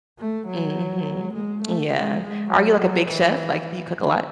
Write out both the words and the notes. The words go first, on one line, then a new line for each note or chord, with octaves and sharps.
Mhm, yeah. Are you, like, a big chef? Like, do you cook a lot?
A3
F#3
G#3
A3
G#3
G#3
F#3
F#3
E3